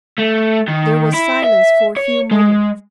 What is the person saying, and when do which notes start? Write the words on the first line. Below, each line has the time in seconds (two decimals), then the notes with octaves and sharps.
There was silence for a few moments.
0.19 A3
0.68 D#3
1.14 E4
1.44 E5
1.97 C#5
2.31 G#3